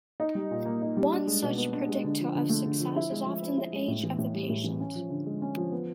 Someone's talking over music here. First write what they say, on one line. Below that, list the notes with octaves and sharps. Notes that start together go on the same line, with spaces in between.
One such predictor of success is often the age of the patient.
D#4
G3
A#2
A#3
D#4
G3
D4
G#3
B2
B3
D4
G#3
D3
F3
D3
A3
D3
F3
E4
G#3
F3
C4
E4
G#3
A2
E3
A2
G3
A2
E3
C#4
F3
D3
G#3
C#4
F3
B3